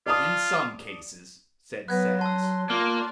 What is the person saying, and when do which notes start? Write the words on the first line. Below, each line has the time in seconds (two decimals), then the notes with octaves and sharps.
"In some cases," said Sadness.
0.06 F4 D5 A5 D#6
1.88 F#3 B3 F#6 G#6 A#6
2.21 A5 C6 E6
2.70 A#3 F4 D5 C6 F6